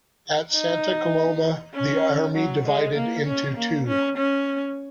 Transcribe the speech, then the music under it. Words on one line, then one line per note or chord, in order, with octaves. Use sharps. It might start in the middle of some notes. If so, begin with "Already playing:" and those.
At Santa Coloma, the army divided into two.
D#4
C#4
F#3
G#3
A#3
C#4
A#3
C#4
C#4